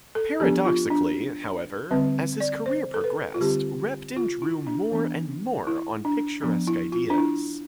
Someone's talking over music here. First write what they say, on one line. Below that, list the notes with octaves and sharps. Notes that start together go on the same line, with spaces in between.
Paradoxically, however, as his career progressed Repton drew more and more on picturesque ideas.
A4
F3 B3 D4 G4
F4
D4
D3 G3 C4 B4
D5
C5
A4
B4
F4
D3 G3 C4 G4
F4
E4
D4
E3 B3 D4
E4
D4
F3 B3 D4
E4
F4
D4
E4